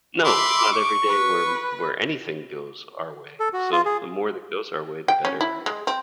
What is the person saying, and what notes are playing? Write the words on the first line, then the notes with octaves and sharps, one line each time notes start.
No, it's not every day where where anything goes our way, so the more that goes our way, the better, right?
E5 B5 C6 D6
C#6
B4
A4
F#4
F4
G#4
G5
C#4
E4
G#3
C4